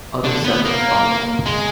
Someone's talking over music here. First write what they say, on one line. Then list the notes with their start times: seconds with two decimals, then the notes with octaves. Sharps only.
Other settlers followed.
0.24 D3
0.45 B3
0.65 A#3
1.46 G#3